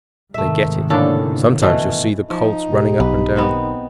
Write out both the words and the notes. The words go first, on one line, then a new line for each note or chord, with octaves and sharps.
They get it. Sometimes you'll see the colts running up and down.
G#2 C3 D#3 A3 E5
A2 D3 A#3 C#4 D4 A4
B2 E3 A3
F3 D#4
C#2 B2 G4
B1 B4
D#3 B3 C4 D#4